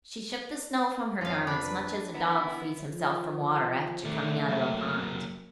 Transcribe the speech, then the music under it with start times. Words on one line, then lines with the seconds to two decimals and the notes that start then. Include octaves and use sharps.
She shook the snow from her garments much as a dog frees himself from water after coming out of a pond.
1.21 F2 F3 C#4 F5
1.47 D4 B5
1.63 B4
2.14 B3 E4 A#4
2.41 E4
2.91 F3
4.05 D#3 A3 D5
4.49 F#3 A#3